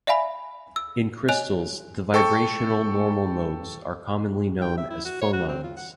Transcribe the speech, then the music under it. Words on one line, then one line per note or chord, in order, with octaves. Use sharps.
In crystals, the vibrational normal modes are commonly known as phonons.
D5 E5 F5 G#5 B5
E6
C#5 D#5 G#5 F#6 F7
A4 G5 C#6
G5
E5
E4
F#4
C#5
F#4
C4
F4
F#5